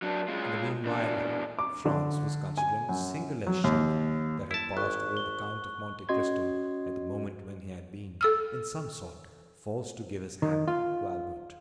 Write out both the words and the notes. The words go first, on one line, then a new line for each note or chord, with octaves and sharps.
In the meanwhile Franz was considering the singular shudder that had passed over the Count of Monte Cristo at the moment when he had been, in some sort, forced to give his hand to Albert.
F#3 D4
G#3 F4
E2 D4
D6
D3
G#5
F#2
F#3
D#2
E4 A5
G#1 C#6 F#6
G7
C#4 F#4 D#5 C6 G#6
A4 E6 F6
D#3
F4